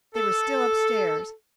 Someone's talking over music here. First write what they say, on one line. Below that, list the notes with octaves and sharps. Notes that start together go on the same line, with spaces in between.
They were still upstairs.
A4